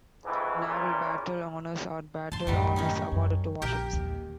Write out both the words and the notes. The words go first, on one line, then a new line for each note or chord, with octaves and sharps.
Naval battle honours are battle honours awarded to warships.
F2 G#2 C#3 E3
E2 A#2 G3 C#4 A#4
G#2 A5 C6
F#2 A2 D#3 F#3 G3
D#3 C#4 D#4
F#2
A#1 G4 A#4 G5
D#2